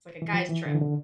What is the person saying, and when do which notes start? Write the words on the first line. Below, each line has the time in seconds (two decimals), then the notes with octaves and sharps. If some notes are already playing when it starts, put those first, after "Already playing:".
It's like a guys' trip.
0.22 E3
0.33 F3
0.49 E3
0.66 D3
0.75 E3
0.81 D3